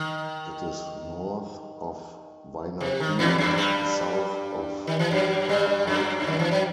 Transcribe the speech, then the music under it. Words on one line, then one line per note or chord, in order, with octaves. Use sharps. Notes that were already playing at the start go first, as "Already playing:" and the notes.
It is north of Wainaku and south of Papaikou.
Already playing: D#3
C3
D#3
E2 E3
F#2 F#3
G2 G3
D#3
E3
F#2 F#3
G2 G3
F#2 F#3
D#3
E3
F#3